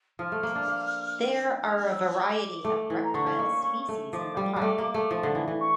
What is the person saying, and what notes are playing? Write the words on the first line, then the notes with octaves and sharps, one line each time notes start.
There are a variety of reptile species in the park.
F3 F6
A3
A#3
D4
A#3
F6
E6
D6
A3
E3
A#5
D3 C#6
C#4
A#3
C#4
A3
F3 D6
G3
G3
A3
A#3
A3
F3
D3
E3
E3
C#6